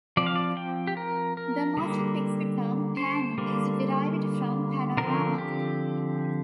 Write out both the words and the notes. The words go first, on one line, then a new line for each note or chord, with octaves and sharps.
The motion-picture term "panning" is derived from "panorama".
F3 C4 D5
F5
D5
G5
G4
A#4
A#4
D3 G3 A#3
C5
D3 G3 A#3
D3 F3 C4 A#4
G4